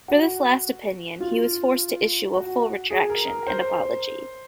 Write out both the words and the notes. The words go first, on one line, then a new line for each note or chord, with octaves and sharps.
For this last opinion he was forced to issue a full retraction and apology.
F#4
F4
F#4
G#4
A#4
A#4
C5